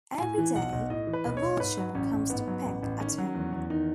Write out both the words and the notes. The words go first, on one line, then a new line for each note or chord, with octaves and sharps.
Every day, a Vulture comes to peck at him.
A2 G#5
E3
B1 F#5
B1
A2 D#5
E3
B4
B1
C#5
B1
G#2 B4
F#3
A1 C#4
A1
G#2 B3
F#3
A1
A1
D#3 C#4
F#3
E2
E2
D#3 D#4